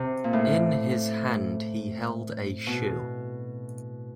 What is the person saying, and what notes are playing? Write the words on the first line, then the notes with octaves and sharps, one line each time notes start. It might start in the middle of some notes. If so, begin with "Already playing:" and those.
In his hand he held a shoe.
Already playing: C3
A#2
A2
B2